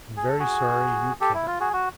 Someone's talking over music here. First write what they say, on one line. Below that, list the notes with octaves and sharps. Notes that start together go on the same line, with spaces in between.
"I am very sorry you can't."
G#4
A4
F#4 G#4
G4 A4
E4
F4
F#4 G#4
F#4